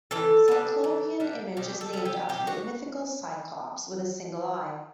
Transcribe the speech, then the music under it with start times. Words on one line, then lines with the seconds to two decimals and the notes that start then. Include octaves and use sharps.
Cyclopean image is named after the mythical Cyclops with a single eye.
0.11 E3 A4
0.48 G3 D4
0.84 E3
1.20 G3 D4
1.57 B2 G4
1.81 A4
1.93 G3 B3 A4
2.05 G4
2.29 B2 G4
2.47 F#4